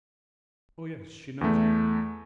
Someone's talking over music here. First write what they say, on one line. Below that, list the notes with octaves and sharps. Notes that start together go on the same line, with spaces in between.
"Oh, yes, she knows it."
E2 A3